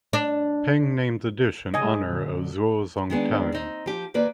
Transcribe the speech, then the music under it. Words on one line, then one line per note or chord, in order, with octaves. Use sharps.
Peng named the dish in honour of Zuo Zongtang.
D4
C#3 G3 G#3 D#5 G#5
A#2 D3 F#3
D#3 G#3 B3 D4
C4 D#4
F3 G4
D#2 A#3 B4 D5